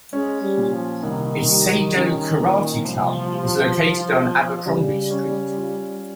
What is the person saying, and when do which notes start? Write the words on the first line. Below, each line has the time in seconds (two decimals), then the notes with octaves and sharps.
A Seido Karate club is located on Abercrombie Street.
0.13 G#3 C#4
0.42 G3
0.57 A#2
0.73 F3
1.03 C2 D#3
1.48 G3
1.94 C#4
2.40 A#2
2.85 C2 F3
3.29 G3
3.75 F4
4.21 G#3
4.66 C#3 G3
5.11 C#4
5.57 F4